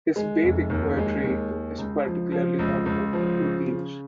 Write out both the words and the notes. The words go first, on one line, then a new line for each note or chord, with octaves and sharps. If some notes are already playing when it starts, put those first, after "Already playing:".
His Vedic poetry is particularly notable for two themes.
G#3
F1
D#2
G#3
D#2
G#3
C#2
F3
F3
C#2
C#2
F3
C#3
C#3